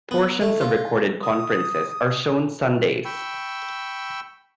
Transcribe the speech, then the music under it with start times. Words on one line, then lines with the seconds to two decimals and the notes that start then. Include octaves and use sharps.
Portions of recorded conferences are shown Sundays.
0.11 B3
0.41 A3
0.61 F4
1.23 D#6
3.05 G5 B5 C#6 E6